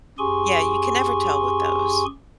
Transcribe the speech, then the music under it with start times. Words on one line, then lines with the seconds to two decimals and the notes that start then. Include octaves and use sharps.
yeah, you can never tell with those,
0.19 F#2 G4 G#4 G#5 C6 C#6